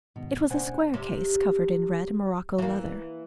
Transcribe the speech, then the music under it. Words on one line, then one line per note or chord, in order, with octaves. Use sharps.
It was a square case covered in red morocco leather.
G#2 B2 D#3
B2 A#3 C#4 D4 C5 F#5 G#5
C3
E3 A#3